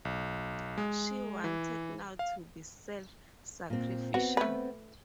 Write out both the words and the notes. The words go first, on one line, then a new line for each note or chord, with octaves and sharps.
She wanted now to be self-sacrificial.
B1
G#3
E3
F5
A#2 C4
B3 C4 F#4
A3 B4